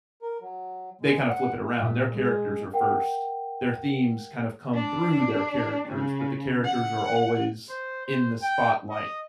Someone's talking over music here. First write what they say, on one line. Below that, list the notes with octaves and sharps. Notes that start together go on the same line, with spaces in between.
they kinda flip it around. Their characters are first, their themes kind of come through their characters, but the characters are always in the spotlight,
A#4
F#3
G#3
F#5
A#2
G#3
A#4 F#5 G5
D4
C#3
F#5
C5
C5
G5
D#5